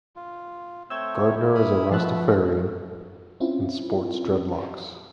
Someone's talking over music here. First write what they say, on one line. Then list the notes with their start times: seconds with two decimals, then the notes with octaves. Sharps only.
Gardner is a rastafarian and sports dreadlocks.
0.16 F4
0.90 A3 C4 C#5 E6 G6 G#6
1.22 E4
1.55 B5 D#6 F6
1.92 B2 F3 A3 E5 A5 F#6
3.40 C4 C#4 E4 F4